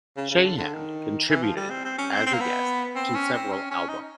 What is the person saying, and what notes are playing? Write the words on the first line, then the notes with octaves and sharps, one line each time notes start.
Sheahan contributed as a guest to several albums.
C#3
C#3
D3
D3
D#3
E3
F3
G3
C4
C4
C#4
C4
C4
A#3
B3
C4
C#4
C4
C#4
C#4
D#4